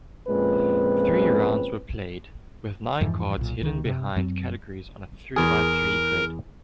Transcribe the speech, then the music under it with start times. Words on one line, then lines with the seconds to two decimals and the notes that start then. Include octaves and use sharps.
Three rounds were played, with nine cards hidden behind categories on a three-by-three grid.
0.29 F2 A#2 G#3 C4 C#4 B4
3.01 F2 G#2 E3 F3
3.37 B1 A#2
3.60 C#2 D#3
3.85 C3
4.16 F#2 F#3 C4
5.36 E2 G#4 A#4